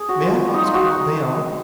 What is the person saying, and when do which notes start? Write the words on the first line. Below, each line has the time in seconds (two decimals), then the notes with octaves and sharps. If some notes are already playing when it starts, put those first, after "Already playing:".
May I ask what they are?
Already playing: G#4
0.09 F#4
0.23 F4
0.54 D#4
0.64 F4
0.74 F#4